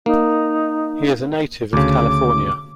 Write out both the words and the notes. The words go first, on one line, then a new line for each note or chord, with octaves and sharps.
He is a native of California.
A#3 D#4
D2 C#3 D6